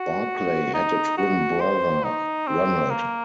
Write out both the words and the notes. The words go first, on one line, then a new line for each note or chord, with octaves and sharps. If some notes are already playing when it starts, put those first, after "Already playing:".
Barkley had a twin brother, Ronald.
Already playing: F#4
D#4
F#4
C5
D#4
C4
A#3